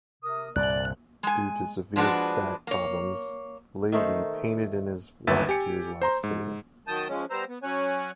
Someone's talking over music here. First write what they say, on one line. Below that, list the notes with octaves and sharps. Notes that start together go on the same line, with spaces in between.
Due to severe back problems, Lavie painted in his last years while sitting.
C3 A#4 D#6
C2 G2 A#2 D5 F#6
G#3 G#5
F3 G#3 D4 F4 F#4 B4
A#3 C#5
D#3 A3 D#4 C5
G1 D#2 B4 E5 E6 A6
G4 G#5 C#7
C5 A#5 C6
G#2
D#3 F#3 A5 D#6 G6
F3 G#3 C#4
G3 B3 C5 A#5 E6
B3
F#3 C#4 C#5 G#5 F#6